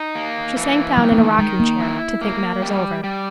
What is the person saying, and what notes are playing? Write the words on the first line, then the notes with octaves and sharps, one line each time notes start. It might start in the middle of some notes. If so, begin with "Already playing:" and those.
She sank down in a rocking chair, to think matters over.
Already playing: D#4
A#3
E3
D#3 G3
B3
A#3
D#3 G#3
A#3
E4
A#3
G3
G3